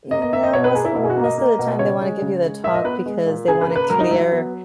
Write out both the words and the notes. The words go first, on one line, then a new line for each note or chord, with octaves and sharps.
No, most of most of the time they wanna give you the talk because they wanna clear
A#3 D#5
D#5
A#3 E5
D#5
B2 C#5
B4
A#3 G#4
E4
B2 E4
G#4
F#4
A#3
D#5
A#3
B2
C#3 C#5
G#3
C#3
G#3
A#2 E5
D#5
B3 B4
G#3
A#2
C#3 G#4
B4
A#3
B4
F#3 A#4
D#4
F#3 E4
B3